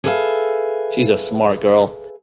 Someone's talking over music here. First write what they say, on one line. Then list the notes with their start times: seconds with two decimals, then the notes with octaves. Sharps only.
She’s a smart girl.
0.04 G#4 A4 B4 D5 E5 F5